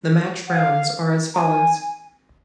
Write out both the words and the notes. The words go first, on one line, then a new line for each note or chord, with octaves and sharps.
The match rounds are as follows.
F#5
F5
A#5
G#5